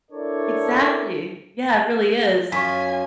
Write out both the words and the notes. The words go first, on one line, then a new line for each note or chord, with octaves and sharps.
Exactly. Yeah, it really is.
D4 E4 A4 A#4 C#5 D5
F#2 F4 G#5 C#6 B6